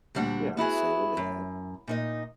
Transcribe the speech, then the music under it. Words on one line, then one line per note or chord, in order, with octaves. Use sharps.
yeah, I'm a single dad.
D2 A#2 G3 D4 F#5
B3 E4 F#4 G#4
F#2
A#2 D#4 D#5